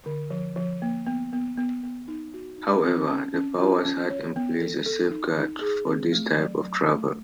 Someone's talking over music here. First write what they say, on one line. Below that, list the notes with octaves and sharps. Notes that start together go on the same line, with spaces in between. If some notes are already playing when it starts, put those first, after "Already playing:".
However, the Powers had in place a safeguard for this type of travel.
D3
F3
F3
A#3
B3
B3
B3
B3
D#4
F#4
D#4
C4
C#4
C#4
F4
C#4
C#5
B3
A4
A4
D#4
D#4
G#4
C4
A3
F#3
F#3
A3